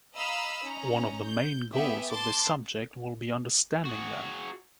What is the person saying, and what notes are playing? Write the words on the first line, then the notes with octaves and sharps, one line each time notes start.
One of the main goals of this subject will be understanding them.
D#5 F5 A#5 B5 D#6 E6
C#4 D#4 A#5
G6
B3 G4 G#4 E5 G5
A5 C6 D6 A6
F#4 G#4